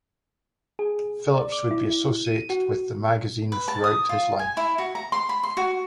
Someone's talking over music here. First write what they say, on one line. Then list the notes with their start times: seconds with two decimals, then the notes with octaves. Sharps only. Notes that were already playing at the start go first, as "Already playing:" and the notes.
Phillips would be associated with the magazine throughout his life.
0.79 G#4
1.34 D5
1.52 D6
1.71 E4
2.25 D#7
2.50 F#4
3.52 B4
3.68 A5
3.84 D#6
4.09 F4
4.39 G#5
4.57 E4
4.78 F#4
4.95 A#5
5.12 C6
5.29 B5
5.43 C6
5.57 F#4